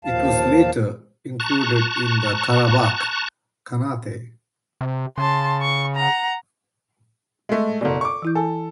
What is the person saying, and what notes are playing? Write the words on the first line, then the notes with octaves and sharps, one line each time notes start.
It was later included in the Karabakh Khanate.
D#2 F3 F5 A5
A5 A#5 C#6 F#6
C3
C#3 A5 C6
C#6
F#5 A#5
G#3 A3
F#1 B2 A4 D5
C#6 D6
E3 E4 G6
A4 G#5